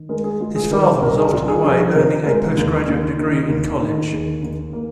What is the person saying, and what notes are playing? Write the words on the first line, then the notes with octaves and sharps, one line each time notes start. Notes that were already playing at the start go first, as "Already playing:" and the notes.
His father was often away earning a postgraduate degree in college.
Already playing: D#3
G#3 A#4
G#4
G#3 F4
G#4
D#3 A#4
C5
C2 A#4
G#4
C2 F4
G#4
F3 G#4
G#4
C3 A#4
G#3 A#4
D#2
D#2
D#3
D#2
D#3
D#2 G#4
D#2
A#3